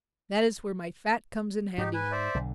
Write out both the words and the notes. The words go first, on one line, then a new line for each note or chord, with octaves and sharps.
That is where my fat comes in handy.
G#2 D#4 G4
B4 G#5
C5 D5 E5
B1 D3